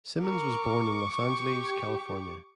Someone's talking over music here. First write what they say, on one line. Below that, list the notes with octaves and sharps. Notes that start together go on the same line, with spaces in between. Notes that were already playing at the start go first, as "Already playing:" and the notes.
Simmons was born in Los Angeles, California.
A#4 C#6 D6
G4